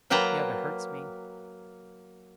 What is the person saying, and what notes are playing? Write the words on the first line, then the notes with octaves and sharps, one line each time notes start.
"The other hurts me."
F#3 A#3 B4 G5 A5 A#5